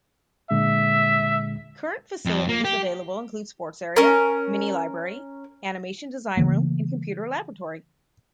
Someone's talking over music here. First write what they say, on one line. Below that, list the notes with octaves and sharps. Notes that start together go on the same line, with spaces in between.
Current facilities available include sports area, mini-library, animation design room and computer laboratory.
A#2 D3 G#3 E5
F2
A#3
G4
C#4 A#4
C#3 E3 A3 A#3